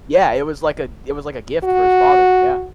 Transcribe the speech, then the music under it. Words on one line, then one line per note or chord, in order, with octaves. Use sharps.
Yeah, it was like a it was like a gift for his father, yeah.
F#4